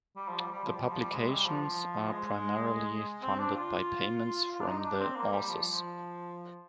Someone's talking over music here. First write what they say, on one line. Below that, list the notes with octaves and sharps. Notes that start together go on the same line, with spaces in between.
The publications are primarily funded by payments from the authors.
G3
F3
G3
G3
F3
G3
F3
G3
G#3
G3
F3
F3
G#3
C4
D4
F4
F4
D4
D#4
D#4
D4
C4
A#3
G3
F3
F3